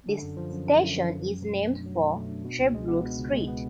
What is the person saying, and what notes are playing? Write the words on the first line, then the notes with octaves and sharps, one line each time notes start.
This station is named for Sherbrooke Street.
D3
F#2
F3
F#2
D3
F#2
F3
F#2
F#3
B2
A3
D4
F#3
B2
A3
D4
B2
C#2
G#3
B3
B2
C#2
G#3
B3